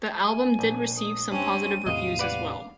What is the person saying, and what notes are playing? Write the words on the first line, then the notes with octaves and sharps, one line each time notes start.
The album did receive some positive reviews as well.
G#5
A#1
D#6
G2 C4 C#4 D#7
E2 A2 C3 D#5 F5
B4 D5 F#5